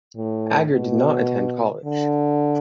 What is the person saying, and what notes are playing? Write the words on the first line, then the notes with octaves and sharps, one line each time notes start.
Ager did not attend college.
A2
B2
D3